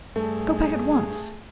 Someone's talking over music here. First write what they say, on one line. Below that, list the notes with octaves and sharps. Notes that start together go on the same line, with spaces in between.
Go back at once!
G2 A3 G#4 A4